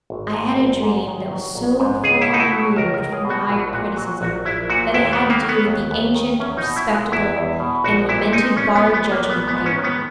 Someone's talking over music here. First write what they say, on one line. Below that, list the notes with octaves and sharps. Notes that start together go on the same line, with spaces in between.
I had a dream that was so far removed from the higher criticism that it had to do with the ancient, respectable, and lamented bar-of-judgment theory.
G#1
G#2
A#1
G#2
D#3
F#3
A#1
G#2
C#2 G#4
E4
B2
D#4
E4
F#3
C#2 A#4
A#4
C#2
G#4
B2
F#4
A#1 E4
A#2 F#4
F#3 F#4
A#1 F#4
A#1 E4
A#2 F#4
D#2 E4
B3
D#3
A#3
F#3
B3
D#2
D#2
D#3
E2 C#4
D#4
B2
E4
G#3
F#4
E2 E4
E2
B2
A#1 F#4
A#2 E4
G#3 D#4
A#1 C#4
B3
A#1
B3
A#2
A#3
A#1 B3
B3
G#2
C#4
D#3
B3